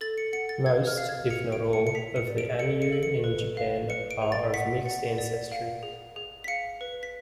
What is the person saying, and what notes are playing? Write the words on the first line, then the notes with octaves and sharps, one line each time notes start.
Most, if not all, of the Ainu in Japan are of mixed ancestry.
A4 A6
C#7
F#5 C#7
A6
F5 G#6
F6
F5
G#6
G#4 C#7
D7
G#4
C#7
C#7
G#4 B6
C#7
D5
D7
A4 C#7
C#7
A4
C#7
B4
F5
B4 C#7
D7
G#4
A6
F#5 B6
F#5
D5
F5
G#4
G#4
B6
F5 C#7
B4
B6